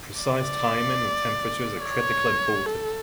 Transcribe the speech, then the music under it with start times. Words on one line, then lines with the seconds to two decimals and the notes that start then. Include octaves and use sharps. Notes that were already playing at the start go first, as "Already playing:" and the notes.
Precise timing and temperatures are critically important.
0.22 D5
1.85 C#5
2.66 A4